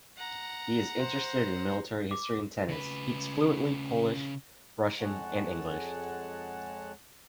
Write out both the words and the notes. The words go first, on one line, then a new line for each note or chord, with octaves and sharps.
He is interested in military history and tennis; speaks fluently Polish, Russian and English.
F#5 A#5
C5
D6
C#3 B4
F2 G#3 C#5 F#5 A5